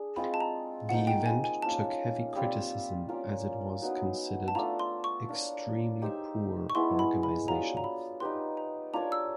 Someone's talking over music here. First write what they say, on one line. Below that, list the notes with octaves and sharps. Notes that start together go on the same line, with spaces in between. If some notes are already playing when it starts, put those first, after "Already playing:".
The event took heavy criticism as it was considered "extremely poor organization".
Already playing: D4 G#4
G#3 C4 F4 B5
A5
A#5
F3 A#3 D#4 F#5
G5
G#5
G#5
A#3 C#4 F4 A5
G3 C4 F4
C#4 F4 A#4 D5
F#3 B3 D#4 F#4
A5
A3 D4 F4 A#5
C6
C#6
D4 F4 A#4 C#5
D#4 G4 C5 E5
C#6
G#3 B3 E4 C6
B5
B5
F#3 B3 D4 F4 A#5
A#5
B5
D#4 G4 B4 C6
A#5
D4 F4 A#4 C#5 A#5
E6